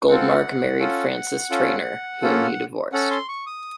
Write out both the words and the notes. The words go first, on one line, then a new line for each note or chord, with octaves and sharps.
Goldmark married Frances Trainer, whom he divorced.
C4 F4 A4 F#5
C#4 F4 A4
C#4 F4 A4
A#3 C#4 F4 A4
C#4 A4 F#5
C6
C#6
D#6